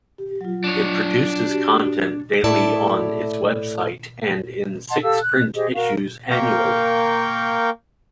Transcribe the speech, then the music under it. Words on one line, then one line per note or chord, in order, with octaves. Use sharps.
It produces content daily on its website, and in six print issues annually.
G4
F#3 F4
D4 C#5
F#4 G4
A2 E4 A4 D5 E5 A5
D#5 F#5 A5 C6
G4 A4 F5 E6
F#6
G4 G#4 C5 D#5
F#4 A#4 F5
A#3 A#4 F5 G5 C#6 G6